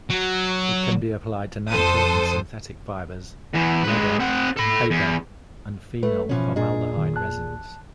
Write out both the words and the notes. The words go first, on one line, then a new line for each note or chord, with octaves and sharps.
It can be applied to natural and synthetic fibers, leather, paper, and phenol-formaldehyde resins.
F#3
F2 A4 C5 D#6
E2 E3
G#3 B4
C4 F#5
A4 B5
E2
A3 B4
B2 E3 F3 C#4
A#2 D4 G#4 D#5
D#3
A5 F#6